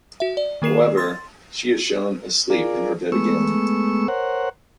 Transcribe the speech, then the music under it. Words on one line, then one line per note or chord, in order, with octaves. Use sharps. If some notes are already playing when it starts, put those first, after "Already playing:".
However, she is shown asleep in her bed again.
F#4 E5
D5
D#3 A#3 A#4 C7 E7
C6 A6
F4 G#4 A#4 D5
G#3 A3 B3 C#6 E6
A#4 C5 C#5 F#5